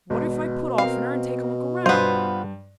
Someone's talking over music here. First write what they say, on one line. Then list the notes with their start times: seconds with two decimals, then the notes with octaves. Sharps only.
'What if I put off in her and take a look round?
0.10 G#1 B2
0.78 C4 A#4 F5
1.86 G2 B3 F4 B4 C5